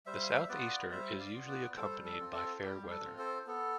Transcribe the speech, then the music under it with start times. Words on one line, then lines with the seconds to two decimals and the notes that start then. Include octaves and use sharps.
The South Easter is usually accompanied by fair weather.
0.06 G3 C5 E5
0.23 F5
0.35 E5
0.49 B3 F4 B4 D5
0.91 G3 C5 E5
1.19 D5 F5
1.34 B3 F4
1.48 B4 D5
1.77 G3 A4 C5
2.05 A4
2.19 C4 F4
2.34 A4
2.61 G3 G4
2.90 A4
3.04 C4 F4
3.18 A4 C5
3.47 B3 A4